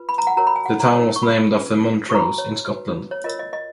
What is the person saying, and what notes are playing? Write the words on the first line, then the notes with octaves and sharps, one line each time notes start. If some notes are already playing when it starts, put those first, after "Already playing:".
The town was named after Montrose, in Scotland.
Already playing: F4 B4
B5
A#5
F#5
F#4 A#4 C#5 A#5
B5
G#5
F#5
A#5
D#4 A#4 C#5
C#6
B5
C#4 F4 G#4 B4
F#4 B4 C#6
A#5
B5
C#5
F#4 B4
C#5
F4 A#4 C#5 D#5
D#5
D#5